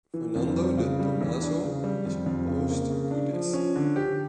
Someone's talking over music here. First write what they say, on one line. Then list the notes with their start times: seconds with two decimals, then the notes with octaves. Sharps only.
Fernando de Tomaso is opposed to this.
0.14 E3
0.35 F2
0.56 G3
0.77 C#3
1.00 G3
1.21 E2
1.41 D4
1.63 C#3
1.84 G3
2.06 F2
2.26 F2
2.48 C#3
2.70 A#3
2.90 C#3
3.11 D4
3.33 F3
3.53 C#4
3.76 D3
3.96 G4